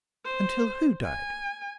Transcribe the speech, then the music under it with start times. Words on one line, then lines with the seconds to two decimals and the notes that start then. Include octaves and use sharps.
"Until who died?"
0.25 C5
1.04 G#5